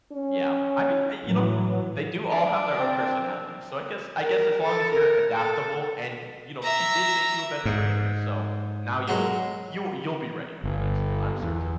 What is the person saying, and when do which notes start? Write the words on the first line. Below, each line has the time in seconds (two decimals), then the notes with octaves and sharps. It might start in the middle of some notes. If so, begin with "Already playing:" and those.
Yeah, I mean, uh, y you know, they do all have their own personalities, so I guess I guess as long as you're adaptable, and you know, she did make you a better trainer, so now you'll you'll you'll be ready for the next one, I'm certain.
0.12 C#4
1.25 A2 E3 F#3
2.31 D4
2.80 C4
4.23 A#4
4.62 A4
4.92 A#4
5.35 A4
6.62 E5 A#5
7.65 G#2
9.08 F#3 G#3
10.64 G1
11.43 E2